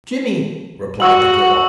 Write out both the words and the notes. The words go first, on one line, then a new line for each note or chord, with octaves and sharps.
"Jimmy," replied the girl.
F#4 C#6 E6 F#7